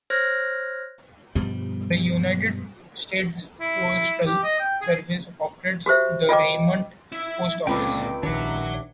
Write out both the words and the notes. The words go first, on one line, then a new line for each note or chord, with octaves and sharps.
The United States Postal Service operates the Raymond Post Office.
C5 C#5 F6 F#6 G#6 A#6
G2 B2 F3 G3
E4
G4
D#5
G5
G#4
F#4 G4 C5 E5
F4 D#5 G5 D6
E4 E5
C#2 A#2 D3 C4 G5 B5 D6
A#1 D#3 D4 G4 C#5 E5 F#5